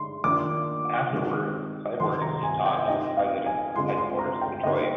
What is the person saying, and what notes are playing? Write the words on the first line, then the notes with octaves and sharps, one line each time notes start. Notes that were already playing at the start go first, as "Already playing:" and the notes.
Afterwards, Cyborg is seen talking with the President in his headquarters in Detroit.
Already playing: D3 G#3 D#4 C6
D#3 A#3 D4 F4 D6
D#3 G#3 C4 D#4
C3 D#3 G3 C4 C6
A#5
G#5
G5
G3 C4 D#4 D#5
F5
G#5
D3 G#3 C4 F4 C6
C6
A#5
G5
D3 G3 A#3 D#4 D#5